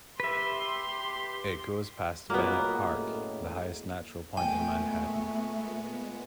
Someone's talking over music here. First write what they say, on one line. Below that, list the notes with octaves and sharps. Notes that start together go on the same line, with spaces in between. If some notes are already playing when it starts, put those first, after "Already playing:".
It goes past Bennett Park, the highest natural point in Manhattan.
G4 B4 E5 C6
A#2 F#3 G#3 A#3 B3
F#2 A2 G#3
A#2 G#3 A3 B3 G5 G#5